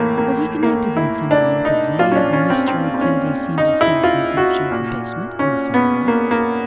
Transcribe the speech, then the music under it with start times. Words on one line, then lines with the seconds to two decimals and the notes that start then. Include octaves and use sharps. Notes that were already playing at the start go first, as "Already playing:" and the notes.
Was he connected in some way with the vague mystery Kennedy seemed to sense in connection with the basement and the film vaults?
Already playing: A2 E3 A3 A#3
0.18 A#3
0.63 A#3
0.97 E4
1.31 D4
1.65 D#4
1.99 A#2 F4
2.12 C#4
2.16 D4
2.33 C#4
2.50 C4
2.68 C4
2.94 C4
3.01 C#4
3.58 D#4
3.81 E4
4.04 F4
4.37 F#4
4.71 A#2
5.39 C#4
5.74 B3
6.08 A#3
6.31 A#3